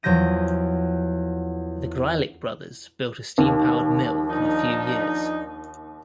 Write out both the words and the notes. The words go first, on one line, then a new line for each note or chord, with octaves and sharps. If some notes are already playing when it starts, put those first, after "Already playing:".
The Greilick brothers built a steam-powered mill in a few years.
E2 F3 F#3 G6 A#6 D#7
D#2
F3 D4 D#4